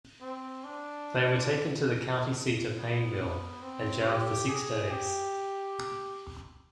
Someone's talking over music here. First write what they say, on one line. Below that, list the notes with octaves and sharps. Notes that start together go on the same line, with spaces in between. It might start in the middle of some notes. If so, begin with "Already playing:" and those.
They were taken to the county seat of Hayneville and jailed for six days.
C4
D4
B3
B3
C4
G4
G#4
G4